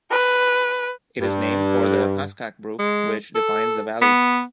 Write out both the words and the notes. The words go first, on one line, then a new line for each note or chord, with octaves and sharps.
It is named for the Pascack Brook, which defines the valley.
B4
G2
G#3
A4
B3